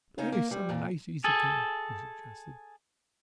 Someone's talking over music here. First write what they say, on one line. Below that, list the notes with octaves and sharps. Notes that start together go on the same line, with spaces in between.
"Play some nice, easy game," he suggested.
C#3 C#4 D#4
A#3
D2 G3
F2 A#2
G#4 A4